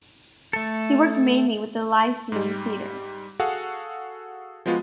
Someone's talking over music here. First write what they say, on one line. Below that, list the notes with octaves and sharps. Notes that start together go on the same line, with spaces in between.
He worked mainly with the Lyceum Theatre.
A3 A4
G#2 G3
F#4 G#4 A4 F5 F#5
F3 G#3 B3 F4 F#4